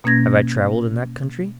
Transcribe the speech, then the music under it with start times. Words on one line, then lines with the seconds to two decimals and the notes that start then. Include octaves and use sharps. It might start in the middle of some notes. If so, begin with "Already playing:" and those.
Have I travelled in that country?
0.04 B2 A#3 C#4 G#6 A#6